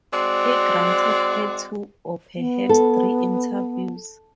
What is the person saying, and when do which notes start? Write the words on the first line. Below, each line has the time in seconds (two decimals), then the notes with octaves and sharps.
He granted her two or, perhaps, three interviews.
0.12 G#3 C4 F#4 D5
2.36 B3
2.69 A4